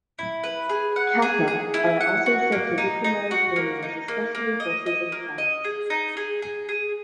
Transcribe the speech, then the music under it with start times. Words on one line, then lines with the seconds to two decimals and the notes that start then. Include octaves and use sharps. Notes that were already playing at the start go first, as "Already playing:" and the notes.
"Kappa" are also said to victimize animals, especially horses and cows.
0.19 E4
0.43 B4
0.69 G#4
0.96 F#5
1.22 G#4
1.48 G#4
1.74 E4
2.01 F#5
2.26 F#4
2.52 A#3
2.78 D#4
3.04 D#4
3.31 F#4
3.56 A#3
3.83 D#4
4.08 A#3
4.35 A#3
4.60 D#5
4.86 D#5
5.12 A#3
5.38 D#5
5.64 G#4
5.90 D#4
6.17 G#4
6.42 G#4
6.69 G#4